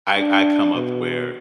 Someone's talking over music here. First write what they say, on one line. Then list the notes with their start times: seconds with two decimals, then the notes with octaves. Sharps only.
I I come up where
0.19 D4
0.75 B2